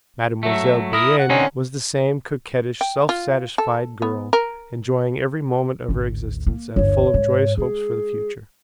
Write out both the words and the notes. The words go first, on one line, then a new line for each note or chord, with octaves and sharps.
Mademoiselle Bourienne was the same coquettish, self-satisfied girl, enjoying every moment of her existence and full of joyous hopes for the future.
F#3 A3 E5
E4 A#4 D#6
F#5
D3 C4 C#4 D#4
G5
F4
A4
B3
A#4
G#1 D2
A#3
G1 D#2 C#5
G#2
G#3 G#4